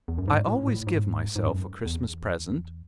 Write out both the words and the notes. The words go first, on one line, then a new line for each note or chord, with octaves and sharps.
I always give myself a Christmas present.
E2
F#2
G#2
A2
A2
G#2
G#2
F#2
E2